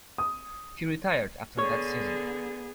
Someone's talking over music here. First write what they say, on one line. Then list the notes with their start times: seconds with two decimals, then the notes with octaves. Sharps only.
He retired after that season.
0.18 D#6
1.59 D3 B3 G#4 C#5